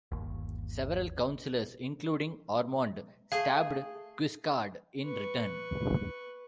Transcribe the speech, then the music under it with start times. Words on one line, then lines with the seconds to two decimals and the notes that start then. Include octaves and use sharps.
Several Councillors, including Ormonde, stabbed Guiscard in return.
0.12 G1 D#2
3.32 A3 G#4 F5
5.04 B4 C#6